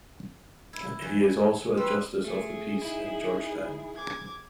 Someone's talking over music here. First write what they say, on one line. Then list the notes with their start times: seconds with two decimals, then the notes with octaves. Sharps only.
He is also a Justice of the Peace in George Town.
0.73 E4
1.02 E2
1.77 G3 B4 C6 E6
2.25 A3 G#4
2.82 D#4 E4
3.96 D6 G#6